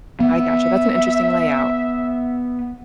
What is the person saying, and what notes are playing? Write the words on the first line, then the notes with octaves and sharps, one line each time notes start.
I gotcha. That's an interesting layout.
B3 E5